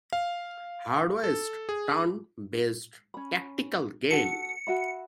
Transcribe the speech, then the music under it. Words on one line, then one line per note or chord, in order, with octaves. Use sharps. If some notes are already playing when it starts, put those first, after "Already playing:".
"Hard West", turn-based tactical game.
F5
A4
G#4
C#4 B5
F#4 A4 C#7
F#4 E5 B5